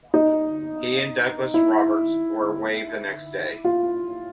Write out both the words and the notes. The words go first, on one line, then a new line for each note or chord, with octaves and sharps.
He and Douglas-Roberts were waived the next day.
D#4
E4
F4